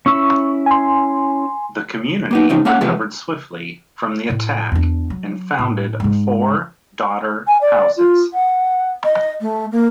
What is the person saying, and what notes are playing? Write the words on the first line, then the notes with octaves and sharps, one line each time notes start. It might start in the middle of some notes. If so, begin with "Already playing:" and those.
The community recovered swiftly from the attack and founded four daughter houses.
C#4 E4 C#6 E6
G#5 C6
A#3 B3 D#4
E2 G#2 C#3 F3 C4 D#4
A3 A#3 C#4 F5 F#5
E2 C3 F3 G#3 A3 B3
A2
E2 D4
F#3
A2
G#2 G#3
G#5
D5
F4
F#5
D#5
A3
A#3